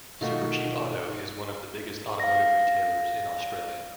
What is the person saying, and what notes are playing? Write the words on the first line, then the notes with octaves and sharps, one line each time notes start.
Supercheap Auto is one of the biggest automotive retailers in Australia.
B2 D#3 A3 D#4 F4 F#4
F5 A#6